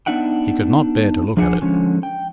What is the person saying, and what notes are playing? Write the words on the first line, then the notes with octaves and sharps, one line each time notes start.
He could not bear to look at it.
B3 D4 D#4 E5 F#5 G5
F3 D4 G#4 E5 F#5 G#5
D3 F3 G#3 C#4
G5